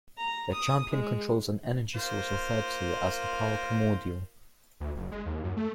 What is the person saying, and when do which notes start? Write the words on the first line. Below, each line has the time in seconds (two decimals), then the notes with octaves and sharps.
The Champion controls an energy source referred to as the Power Primordial.
0.18 A#5
0.52 D#6
0.91 G#3
1.95 A#3 F4 C5
4.80 D2
4.97 F#1
5.12 G#3
5.26 D#2
5.44 F#2
5.57 A3